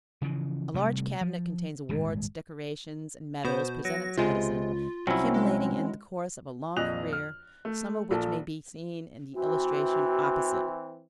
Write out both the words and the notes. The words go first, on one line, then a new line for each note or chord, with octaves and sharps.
A large cabinet contains awards, decorations, and medals presented to Edison, accumulating in the course of a long career, some of which may be seen in the illustration opposite.
C#3 E3 F3
C3 G3 A3
F3
D#1 G#1 G2 G#3
B2 B3 C5
F#3 A#6
C#2 C3 G#3 F4
C2 F#3 C4 C#4 E4
G#3
A#1 F2 D#5 F#6 F7
F6
A3
A#1 F3 A4
E3 C4 F#4